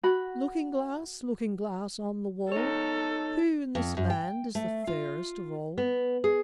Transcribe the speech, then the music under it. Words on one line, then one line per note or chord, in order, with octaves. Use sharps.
"Looking-glass, Looking-glass, on the wall, Who in this land is the fairest of all?"
F#4 B5
D#4 A4 C#5
F2
F#2
G5
A3
F4
B3
G#4